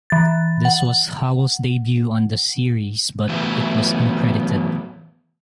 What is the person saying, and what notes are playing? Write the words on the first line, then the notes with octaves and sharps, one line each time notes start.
This was Howell's debut on the series but it was uncredited.
E3 A6
F#5
E3 F#3 A3 B3 C5 E5